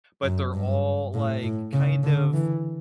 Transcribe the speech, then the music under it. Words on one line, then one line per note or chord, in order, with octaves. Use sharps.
but they're all, like, kind of
F#2
G2
A2
A2
C#3
D3
E3